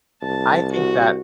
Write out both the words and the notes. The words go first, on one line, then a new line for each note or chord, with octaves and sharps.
I think that
C2 A5
F#4